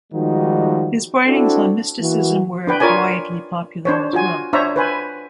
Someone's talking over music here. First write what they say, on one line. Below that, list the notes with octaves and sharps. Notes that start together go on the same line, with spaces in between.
His writings on mysticism were widely popular as well.
D#3 F3 G3 G#3 D#4 F#4
C4 D4 E4 F#4 A4
E3 A#3 F#4
D4 B4 G5
F4 A#4 C#5 D5 G#5
D4 C5 C#5
F4 F#4 G#5
D4 C5 C#5 E5 A#5
B4 C5 G#5